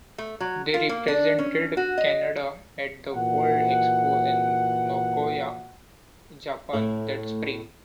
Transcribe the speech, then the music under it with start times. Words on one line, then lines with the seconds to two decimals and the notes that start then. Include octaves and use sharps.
They represented Canada at the World Expo in Nagoya, Japan that Spring.
0.18 A3
0.40 F#3
0.74 F4
0.89 A#3
1.08 D4
1.38 C#4
1.77 F#4
1.98 D#5
3.13 A#2 E3 F#4 F#5
6.73 A2 A3 E4